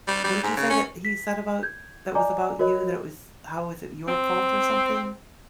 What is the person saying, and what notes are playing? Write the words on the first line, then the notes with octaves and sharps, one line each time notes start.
What did you say that he said about that was about you, that it was how was it your fault or something?
G3
G3
G#2
C#3
C#4
B6
G6 G#6
D5 D#5 G#5 A#5 D6
F#4 A#4 C#5 D#5
C4